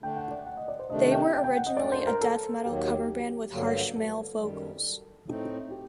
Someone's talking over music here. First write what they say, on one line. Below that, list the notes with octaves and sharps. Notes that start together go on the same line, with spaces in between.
They were originally a death metal cover band with harsh male vocals.
D3 A3 D4 G5
F#5
D5
F#5
D#5
D5
C5
C3 D#3 A3 D4 D#5
G5
G5
G5
F#5
D#5
F#2 F#3 A3 D4 D5
C5
A#4
A4
D#2 D#3 F#3 A#3 G4
G4
G2 D3 F#3 A#3
A4
F#2 D#3 G3
A2 A3 C4 D#4
G4